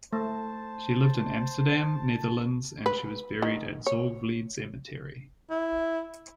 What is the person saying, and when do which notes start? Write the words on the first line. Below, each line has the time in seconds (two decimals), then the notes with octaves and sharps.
She lived in Amsterdam, Netherlands, and she was buried at Zorgvlied cemetery.
0.13 A3 C5 A5
2.86 B4
3.42 D#3
3.87 C#5
5.50 E4